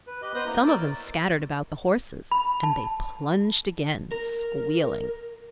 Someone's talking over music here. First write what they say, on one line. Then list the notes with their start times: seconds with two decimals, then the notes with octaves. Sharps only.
Some of them scattered about the horses and they plunged again, squealing.
0.07 B4
0.22 G4 D#5 F#6
0.35 B3 B4 C5 D#5 D#6 F#6
0.46 A#3 E4 D#5 A#5
0.66 A#4 C#5 D5 D6 E6
2.31 B5
2.63 A5
4.11 A#4